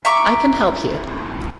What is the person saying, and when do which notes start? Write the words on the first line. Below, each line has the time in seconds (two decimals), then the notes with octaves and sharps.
I can help you.
0.05 E5 A#5 C#6 D6